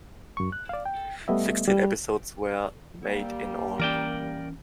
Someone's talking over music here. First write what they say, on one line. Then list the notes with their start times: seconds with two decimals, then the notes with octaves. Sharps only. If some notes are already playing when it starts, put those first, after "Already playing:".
Sixteen episodes were made in all.
0.37 F#2 C#6
0.52 F#6
0.69 D5 F5
0.86 G5
1.28 G3 A3 B3 D#5 E5
1.67 G3
3.03 G3 A#3
3.80 E3 C#4 A#4 D5 G5